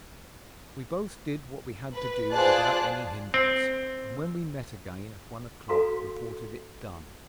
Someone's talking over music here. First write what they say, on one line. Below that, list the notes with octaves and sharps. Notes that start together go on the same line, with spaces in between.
We both did what we had to do without any hindrance, and when we met again at one o'clock reported it done.
B4
F4 G#4 C5 D5 A5 F#6
C4
F#4 A4 F5 A#5 C6